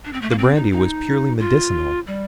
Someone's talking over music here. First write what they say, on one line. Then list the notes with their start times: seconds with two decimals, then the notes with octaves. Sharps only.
The brandy was purely medicinal.
0.05 D4
0.13 C4
0.22 A3
0.30 A#3
0.38 C4
0.55 D#4
0.72 D#4
1.39 F4
2.07 G3